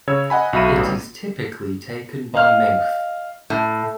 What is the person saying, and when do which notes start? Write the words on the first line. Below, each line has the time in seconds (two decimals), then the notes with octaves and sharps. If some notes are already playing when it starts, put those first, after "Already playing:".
It is typically taken by mouth.
0.07 C#3 C#5 E6 G#6
0.30 D#5 F#5 G#5 B5
0.53 B1 F#4 E5 B5 D#7
0.77 A1 G3
2.34 D#5 F5 F6
3.50 A2